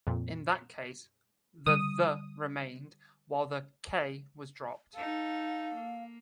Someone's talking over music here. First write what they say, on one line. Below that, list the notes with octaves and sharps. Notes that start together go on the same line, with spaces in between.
In that case, the "th" remained while the "k" was dropped.
F2 A#2
D3 G3 D#6
D#4 A4 F5
A#3